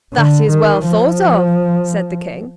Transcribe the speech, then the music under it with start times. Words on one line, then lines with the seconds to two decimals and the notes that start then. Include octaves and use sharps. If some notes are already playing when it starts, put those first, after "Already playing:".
"That is well thought of," said the King.
0.13 D3
0.50 D#3
0.86 F3